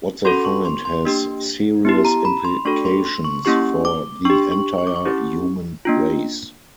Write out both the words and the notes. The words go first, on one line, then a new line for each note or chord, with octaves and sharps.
What they find has serious implications for the entire human race.
C#4 F#4 A4 C6
C#6
C6
C6
A#3 D4 G4
B3 E4 G4
A#5
B5
C6
A3 D4 F#4 A4 C#6
C6
C6
C#6
A#3 C#4 E4 G4 C#6
D6
D4 G4 C#6
C#6
C#6
D6
C#6
C#4 E4 G4
A#3 D4 F4